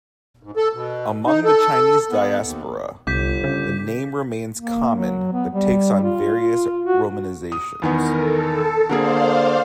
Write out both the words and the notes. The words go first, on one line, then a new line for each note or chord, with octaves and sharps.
Among the Chinese diaspora, the name remains common but takes on various romanizations.
G#2
A4
B2
D#4
A4
B3
D#2
G1 C2 D6 G6 B6
C#3
A#3
F#3
B3
G3
F4
F#4
D#6
E2 D#3 B3 A#4
A4
D3 A#3 G#4 C5 D5 F5